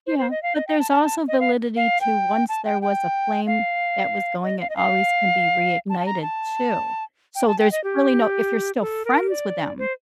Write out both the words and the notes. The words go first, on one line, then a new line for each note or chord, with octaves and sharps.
Yeah, but there's also validity to once there was a flame that was going, it always can be reignited too. So, there's really no if you're still friends with them,
C5
C5
D#5
F5
D#5
G5
A5
A5
A5
D#5
F5
F5
G5
A5
G5
G5
F5
D#5
F5
D#5
F5
A5
A5
A#5
A5
G5
A5
G5
D#5
G4
A4
A#4
D5
C5